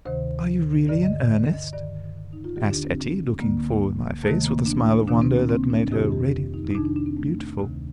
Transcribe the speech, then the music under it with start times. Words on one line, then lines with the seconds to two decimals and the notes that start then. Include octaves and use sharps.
"Are you really in earnest?" asked Etty, looking full in my face, with a smile of wonder that made her radiantly beautiful.
0.05 D2 C3 D#3 C5
0.89 G2 D3 D5
1.03 D#5
1.17 D5
1.31 D5
1.52 D#5
1.73 G2 D#3 D5
2.33 D#4
2.44 F4
2.56 D#2 D3 G4
2.70 D4
2.84 C4
3.40 D2 D3 A#3
4.24 D2 C3 D#3 A3
4.45 A#3
4.66 D4
5.07 D2 C3 D#3 D4
5.22 C4
5.35 A#3
5.49 C4
5.70 D4
5.91 F2 C3 D#3 G4
6.12 G4
6.54 D#4
6.70 D#4
6.75 F2 C3 D#3 D4
6.85 D4
6.96 D4
7.06 C4
7.17 A3
7.59 D2 C3 D#3